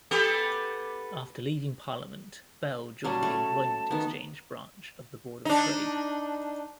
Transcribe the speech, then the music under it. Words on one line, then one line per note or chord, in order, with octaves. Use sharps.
After leaving Parliament, Bell joined the Employment Exchange branch of the Board of Trade.
B3 G4 A4
F#3 G3 C#4 A5
A3
D#3 B3
D4 D#4